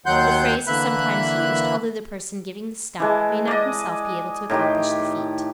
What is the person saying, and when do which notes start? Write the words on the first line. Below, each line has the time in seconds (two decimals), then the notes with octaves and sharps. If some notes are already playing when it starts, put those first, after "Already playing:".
The phrase is sometimes used, although the person giving the "stump" may not himself be able to accomplish the feat.
0.06 D#2 D#3 F#3 F#5 C6 G6
0.67 D3 E3 A#3 E5 B5 F#6
3.00 E3 G#3 A5
3.47 D5 D#5
4.50 A2 D#3 G4